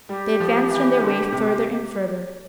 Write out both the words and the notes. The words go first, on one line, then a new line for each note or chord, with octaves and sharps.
They advanced on their way further and further.
G3 G4
F3
E3
D3
C3